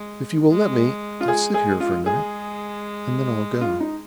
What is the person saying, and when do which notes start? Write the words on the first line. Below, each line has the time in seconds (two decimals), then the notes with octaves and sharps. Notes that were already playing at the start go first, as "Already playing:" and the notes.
If you will let me, I'll sit here for a minute, and then I'll go.
Already playing: G#3
0.51 G#3
1.21 F4
1.28 G#3 G#4
1.54 G#4
1.80 F4
2.06 G#3 G#4
3.61 F4
3.80 D#4